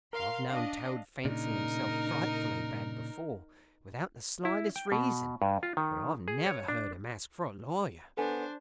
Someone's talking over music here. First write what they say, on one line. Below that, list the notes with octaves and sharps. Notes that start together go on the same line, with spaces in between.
'I've known Toad fancy himself frightfully bad before, without the slightest reason; but I've never heard him ask for a lawyer!
A#4 F5 C6
D4 D#5 F5
A#2 C#3 D4 D#4 A#4
E4
G5
B2
G2
F4
D#3
G#4
C#5
D4
B3 D4 A4 C5 G#5